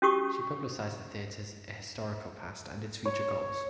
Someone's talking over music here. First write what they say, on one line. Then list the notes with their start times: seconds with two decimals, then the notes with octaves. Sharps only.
She publicized the theatre's historical past and its future goals.
0.02 C#4 F#4 G4 C#6 D#6
3.06 C#5